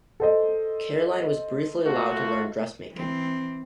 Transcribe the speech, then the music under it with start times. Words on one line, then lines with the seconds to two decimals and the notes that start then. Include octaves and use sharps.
Caroline was briefly allowed to learn dress-making.
0.20 A4 C5 D#5
1.86 A3 F4 F#4
2.93 E3 C4